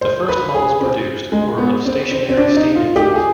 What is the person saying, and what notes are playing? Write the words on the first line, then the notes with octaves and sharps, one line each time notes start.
The first models produced were of stationary steam engines.
C5
B4
G#4
C4
G#3
B3
C4
C4
C4
D4
D#4
F4
G4
G#4